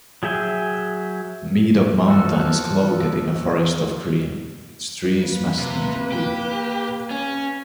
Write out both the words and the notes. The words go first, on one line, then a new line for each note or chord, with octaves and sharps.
Medoc Mountain is cloaked in a forest of green, its trees masking the peak.
F#3 G#4 E5 G5 G#5
E3 F3 F#4 A4
A#3 B4
C3
G4
C#4